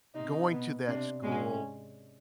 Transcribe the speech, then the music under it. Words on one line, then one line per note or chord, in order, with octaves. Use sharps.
going to that school,
C3 C4 D#4
B2 B3
C3 C4 D4
G#2 G#3 C#4